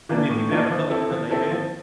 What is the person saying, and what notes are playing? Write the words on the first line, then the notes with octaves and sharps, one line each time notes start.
I mean, if you've never felt like you related
E3 A#3 D4 F4
A2
E3 A#3 D4 F4
F3
C4 E4 A4
F3
C4 E4 A4
F3